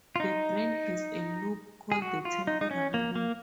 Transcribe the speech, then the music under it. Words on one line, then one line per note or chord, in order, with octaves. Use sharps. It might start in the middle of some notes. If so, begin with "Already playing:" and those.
The brain has a lobe called the temporal lobe.
F4
D#4
G#4
F#4
F4
D#4
D#4
C#4
A#3
A#3